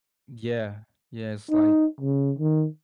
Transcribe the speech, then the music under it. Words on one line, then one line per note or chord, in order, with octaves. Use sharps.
Yeah, yeah, it's like
D#4
C#3
D#3